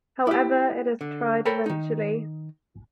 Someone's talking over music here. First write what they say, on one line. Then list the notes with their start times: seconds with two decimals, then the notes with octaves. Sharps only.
However, it is tried eventually.
0.27 E4 G4
1.01 D3
1.45 A4 A#4 C5 C#5 G5 B5
1.66 D#3 D#4